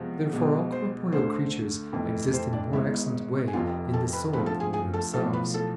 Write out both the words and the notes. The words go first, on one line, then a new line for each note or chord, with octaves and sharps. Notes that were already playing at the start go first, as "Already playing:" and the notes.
Therefore all corporeal creatures exist in a more excellent way in the soul than in themselves.
Already playing: E2 C3 F3 G#3 B3
B1 B2 G#3 B3
C5
D2 D3 A3 C5
F1 F2 E3 A3
C5
D4 D5
G#1 G#2 G#3 B3 E4 E5
G#5
F1 F2 C3 F3 F4 F5
A4 A5
B4 B5
D2 C3 F3 B4 B5
A4 A5
G#4 G#5
G#4 G#5
A4 A5
B1 A2 F3 A4 A5
B4 B5
A4 A5